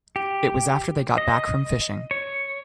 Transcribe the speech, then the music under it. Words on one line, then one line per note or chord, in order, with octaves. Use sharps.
It was after they got back from fishing.
G4
D#5
C#5